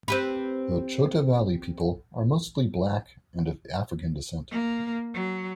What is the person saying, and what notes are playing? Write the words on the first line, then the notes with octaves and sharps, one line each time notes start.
The Chota valley people are mostly black and of African descent.
C4 G4 B4
A#3
F#3